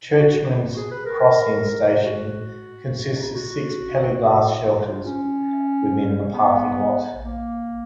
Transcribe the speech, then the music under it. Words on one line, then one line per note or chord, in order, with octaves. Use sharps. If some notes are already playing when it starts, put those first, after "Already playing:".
Churchmans Crossing station consists of six plexiglass shelters within the parking lot.
F#4
F#4
G#4
B4
A#4
F#4
F#4
F4
C#4
B3
A#3